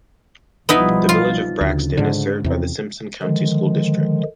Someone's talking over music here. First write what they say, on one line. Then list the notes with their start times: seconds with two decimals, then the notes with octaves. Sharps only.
The Village of Braxton is served by the Simpson County School District.
0.69 B1 F3 G3 B3 D#4 E4
1.09 F4
1.61 D2 C#3
1.97 G#2 D3
2.44 E2 C3
3.22 D3 D#3 F3 G#3